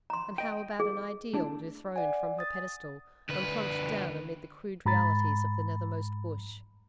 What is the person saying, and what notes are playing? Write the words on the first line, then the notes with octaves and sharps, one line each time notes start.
And how about an Ideal dethroned from her pedestal and plumped down amid the crude realities of the nethermost Bush?
A#5 C6
D#5 G5
G#4
A3 D4 E4
D5 F#5 G#5
D#6 A6
D2 B4
G#2 A#5 B5 A6